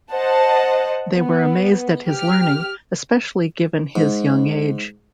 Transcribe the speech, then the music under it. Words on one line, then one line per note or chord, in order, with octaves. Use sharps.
They were amazed at his learning, especially given his young age.
C5 D#5 F#5 A5
B3
G4 F6
G#2